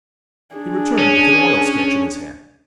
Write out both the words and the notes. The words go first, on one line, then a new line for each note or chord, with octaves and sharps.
He returned with an oil-sketch in his hand.
D4 G#4
C#4